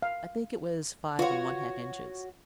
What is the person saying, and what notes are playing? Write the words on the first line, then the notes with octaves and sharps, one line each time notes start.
I think it was five and one-half inches.
F5
F4 F#4 B4 C#5